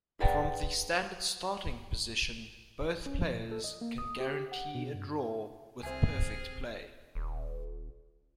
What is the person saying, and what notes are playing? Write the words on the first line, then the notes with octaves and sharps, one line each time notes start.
From the standard starting position, both players can guarantee a draw with perfect play.
G#4 B4 D5 F#5 G5 A#5
C#4
F3
A#2
A4
D#5
A#3
D#6
G4
F#5
B2
G2
C2 C4 G#4 C5 E5 G#5 F6
D#1